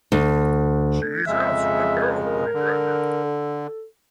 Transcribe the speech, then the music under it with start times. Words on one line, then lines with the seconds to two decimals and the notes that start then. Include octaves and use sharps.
She is also a Perl programmer.
0.12 D2
1.27 F2 C#3 G#3 E5
2.26 A#4
2.54 D3
3.25 A4